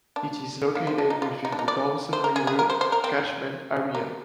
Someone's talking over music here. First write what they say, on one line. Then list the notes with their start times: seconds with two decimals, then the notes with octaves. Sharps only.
It is located within the Dawson River catchment area.
0.16 D4
0.75 A#3
0.87 C4
0.98 D4
1.10 D#4
1.22 F4
1.45 D#4
1.52 D4
1.59 D#4
1.68 D5
2.13 C5
2.24 A#4
2.36 G#4
2.47 G#4
2.59 A#4
2.70 C5
2.81 C5
2.92 A#4
3.04 C4
3.95 A#3